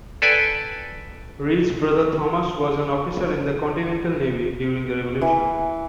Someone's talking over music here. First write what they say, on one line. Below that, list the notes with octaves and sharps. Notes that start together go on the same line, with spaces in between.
Read's brother Thomas was an officer in the Continental Navy during the Revolution.
A4 B4 D5 G5 G#5
E3